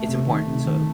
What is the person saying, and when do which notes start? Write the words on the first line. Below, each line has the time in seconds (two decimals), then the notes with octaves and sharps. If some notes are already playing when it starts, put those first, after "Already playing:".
it's important, so
Already playing: A3
0.09 C3
0.27 D#3
0.47 C3
0.65 D#3